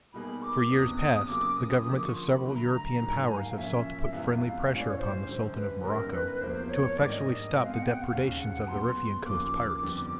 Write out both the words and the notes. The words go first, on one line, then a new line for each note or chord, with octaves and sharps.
For years past the Governments of several European Powers have sought to put friendly pressure upon the Sultan of Morocco to effectually stop the depredations of the Riffian coast pirates.
B2 G3 A#3 D#4 G#4 B5
D6
F#1 E2 C3 E3 D#6
C#3 F#3 A#3 D6
D#6
D3 F3 A#3 D#6
D6
C#6
C6
B5
D3 F#3 A3 B5
A#5
A#5
G#2 D#3 F#3 A#3
G#5
F5
A#2 F3 A#3 C#4 E5
F2 C3 E3 G#3 B3 F5
F5
A1 A2 E3 G#3 C#4
D5
C#5
C5
F#2 D3 G3
B4
G1 F#2 D#3 G3 A#4
B4
E1 E2 C3 F3 A#3 C5
C#5
G#2 D#3 G3 A#3 D4 D5
D#5
B2 G#3 C4
F5
F#5
G5
F#5
F5
E1 D#2 C#3
F#5
F#5
A#2 F#3 B3 C6
D#2 C#3 F3 A#3 D6
F2 D3 G3 B3